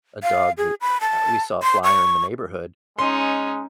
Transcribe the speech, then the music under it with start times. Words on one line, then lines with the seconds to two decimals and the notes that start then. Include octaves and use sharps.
a dog that, uh, we saw a flyer in the neighborhood,
0.23 F5
0.58 G#4
0.81 B5
1.01 A5
1.63 C6
1.84 C#6
2.99 G#3 C#4 D#4 C6